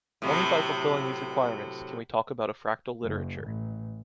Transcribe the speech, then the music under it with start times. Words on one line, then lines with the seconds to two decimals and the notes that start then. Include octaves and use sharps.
Only by fulfilling these requirements, can we talk about a fractal literature.
0.22 A2 C3 F#3
3.03 F#1
3.45 A1